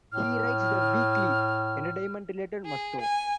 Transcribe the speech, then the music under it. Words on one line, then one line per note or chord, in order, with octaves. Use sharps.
He writes the weekly, entertainment-related Musto!
A2 F6
G#4
G#5